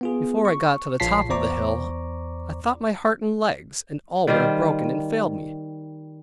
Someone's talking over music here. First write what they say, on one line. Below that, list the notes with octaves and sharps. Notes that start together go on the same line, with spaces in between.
Before I got to the top of the hill, I thought my heart and legs, and all would have broken, and failed me.
B3 F4 G#4
C#6
A#1 F4 C#5 A5 B6 C7
E2 C5 D5 A#5 C#6 D6
D#3 G3 F4 C5